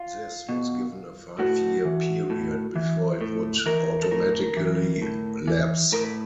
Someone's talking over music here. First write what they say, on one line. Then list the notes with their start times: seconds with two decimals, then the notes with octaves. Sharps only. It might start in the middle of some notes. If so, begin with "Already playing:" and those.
This was given a five-year period before it would automatically lapse.
Already playing: F4
0.49 B2
1.39 A2 F#4
1.85 E3
2.30 A2
2.76 E3
3.21 A2
3.66 E3 A#4
4.02 A4
4.11 A2 A#4
4.57 E3
5.02 A2
5.48 E3
5.92 A2 A#4
6.03 B4